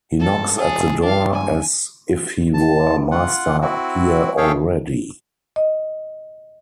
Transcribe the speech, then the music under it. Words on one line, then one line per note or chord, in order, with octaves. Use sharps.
He knocks at the door as if he were master here already!
A4
G#4 A4
D4 F5
G#5
A5
F4 F#5
C4 E4 F#4
G#4 A4 C#5 E5 F5 G5
D#5